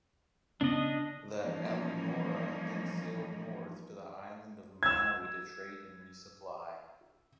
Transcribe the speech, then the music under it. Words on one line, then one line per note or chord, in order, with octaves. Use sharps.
The "Eleanora" then sailed north to the island of Maui to trade and resupply.
C#3 B3 C#4 D4 D#5
E3 F3 G3 A#3 C#4 D#4
E6 G#6